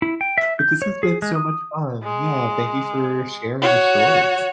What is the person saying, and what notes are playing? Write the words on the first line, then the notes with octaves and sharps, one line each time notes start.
but this has been so much fun, yeah, thank you for sharing your stories.
E4
G5
E5
G6
C#5
G#4
G#3
D#6
G#3
F#4 C#5